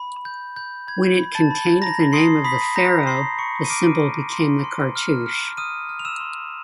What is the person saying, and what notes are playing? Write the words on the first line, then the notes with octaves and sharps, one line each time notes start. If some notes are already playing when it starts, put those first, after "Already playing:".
When it contained the name of the pharaoh the symbol became the cartouche.
Already playing: B5
G6
B5 G6
B5 G#6
B5
A5 A6
B5
A#5 B5 A#6
C6 D#6 C7
B5 D#6 B6
A#5 G6 A#6
C6 D#6 C7
B5 C#6 C#7
D#7
D6 F6 D7
C6
C6
C6
F6
F6
D#6 F6 D#7
F6
F7
E6 E7
C6